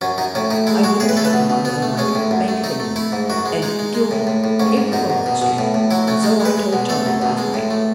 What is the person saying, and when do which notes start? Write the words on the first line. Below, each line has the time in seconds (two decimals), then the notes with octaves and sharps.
I wouldn't have them on my mind for the Bank of England, and Guildhall, paved with Lombard Street, and so I told Charley last night.
0.01 F#2 C#4
0.18 F#2 D#4
0.35 A2 C#4
0.50 A2 D#4
0.67 G#3 E4
0.84 G#3 F#4
1.00 A2 G#4
1.09 B4
1.16 A3 A4
1.25 B4
1.33 B2
1.50 B2
1.65 B2 B3
1.82 A3
1.98 G#3 C#4
2.15 A2
2.31 F#2
2.48 A3
2.64 A3 D#4
2.80 A3
2.96 A3 E4
3.12 G#2
3.30 F#2 F#4
3.45 G#3
3.62 G#3 D#4
3.79 G#3
3.94 G#3
4.11 A2
4.27 A2
4.44 A2
4.60 G#2 C#4
4.77 G#2
4.92 F#2 D#4
5.10 F#2
5.26 B2
5.42 B2
5.58 A2
5.74 A2
5.91 F#3 E4
6.08 A3 C#4
6.23 G#3 D#4
6.40 G#3
6.45 B4
6.57 G#3
6.73 B2
6.89 A3 A4
7.06 F#2
7.22 B2
7.38 G#3
7.54 A2
7.71 A3